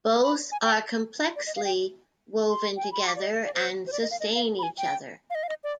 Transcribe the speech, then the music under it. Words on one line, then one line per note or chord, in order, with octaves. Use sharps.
Both are complexly woven together and sustain each other.
B5
G#5
G5
D5
D#5
F5
G5
C6
G5
G#5
B5
C6
D6
D5
D#5
D5
C5
C5
D5
D#5
F5
D#5
F5
B5
G#5
G5
F5
D#5
F5
D#5
D5